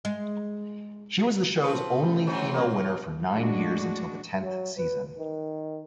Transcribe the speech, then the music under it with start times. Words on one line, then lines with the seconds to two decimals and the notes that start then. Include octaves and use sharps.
She was the show's only female winner for nine years until the tenth season.
0.05 G#3
1.64 F3 C4 B4
2.02 A1
2.27 E3 F#3 C4 C#4
2.54 A#3
3.29 A2 G#3 D4 F#4
4.43 F#3
4.77 B4
5.18 D#3